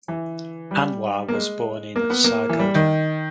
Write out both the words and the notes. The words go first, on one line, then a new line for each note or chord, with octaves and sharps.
Anwar was born in Sargodha.
E3
G3
A#3
G#3
A#3
B3
A#3
E3
G3
D#3